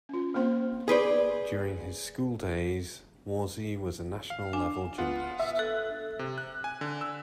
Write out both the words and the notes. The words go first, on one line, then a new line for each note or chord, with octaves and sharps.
During his school days, Warsi was a national level gymnast.
C#4 F4
A#3 C4 C5 C6
G#4 B4 C5 D5
F5
D4 G#5
B3 F4 F#5
E5
A4 F#6
C3
F#6
G#5
D3
E6